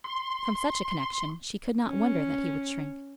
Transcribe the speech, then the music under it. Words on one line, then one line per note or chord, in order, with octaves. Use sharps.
From such a connection she could not wonder that he would shrink.
C6
C#4